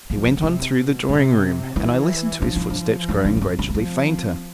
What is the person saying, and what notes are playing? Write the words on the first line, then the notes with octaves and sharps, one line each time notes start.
He went on through the drawing-room, and I listened to his footsteps growing gradually fainter.
F3 B3
C4
C3 E4
B2
C3 E4
E3 E4
F3 D4
E4
D4
E4
D4
B3
C4
B3
B3
F3 C4